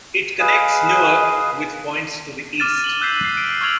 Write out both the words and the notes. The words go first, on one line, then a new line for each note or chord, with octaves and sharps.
It connects Newark with points to the east.
G#4 B4 D#5 F5
D6 F6 A6 D#7 E7
F#7 G7
E6 F#6 G6 B6 C7 D#7
C7
D7
C#6 E6 F6 G#6 F7 F#7